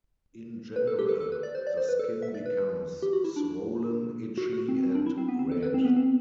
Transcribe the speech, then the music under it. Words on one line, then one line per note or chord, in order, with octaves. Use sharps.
In general, the skin becomes swollen, itchy and red.
B4
A4
G4
A4
A4
B4
D5
C5
D5
C5
B4
A4
E5
D5
B4
G4
F#4
E4
D4
F#4
F#4
C4
C4
D4
E4
C4
B3
C4
A4
B4
C4
B3
C4